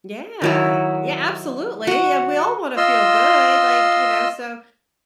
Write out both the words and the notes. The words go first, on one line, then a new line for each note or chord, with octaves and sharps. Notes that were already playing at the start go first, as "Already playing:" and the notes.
Yeah. Yeah, absolutely, yeah, we all wanna feel good. Like, you know, so
D#3 F#3 E4
F#4 F#5
F4 D#5 C6 E6